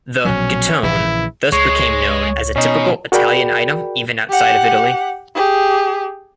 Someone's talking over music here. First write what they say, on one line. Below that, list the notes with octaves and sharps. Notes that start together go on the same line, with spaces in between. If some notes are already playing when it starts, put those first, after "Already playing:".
The "gettone" thus became known as a typical Italian item even outside of Italy.
A#1 B2 F#3 C#4
A#1 C#3 E3 E4
C#2 G#3 C#5
B2 C#4 D#4
F#4 G#4 A#4 D5 G5 B5
G4 F#5
G4 G#4